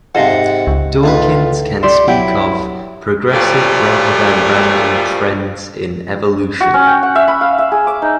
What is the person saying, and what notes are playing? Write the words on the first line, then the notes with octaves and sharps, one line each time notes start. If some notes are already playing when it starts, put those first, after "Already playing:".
Dawkins can speak of "progressive rather than random ... trends in evolution".
G#2 C3 A4 D#5 F5 F#5
C#2
A2 D#4 F4 B4
G4 D5 E5 C6
F#3 E4 G4 G5
F#2 A#2 F3 G3 A3 F4
F#4
C#4
G5
F#5
E5
B5
F5
E5
G#4
D6
D#4